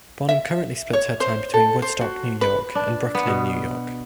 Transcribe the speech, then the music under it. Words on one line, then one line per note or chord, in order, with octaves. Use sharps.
Bonham currently splits her time between Woodstock, New York, and Brooklyn, New York.
E5
C#5
C5
A4
C5
F#4
B4
D4
B3
B2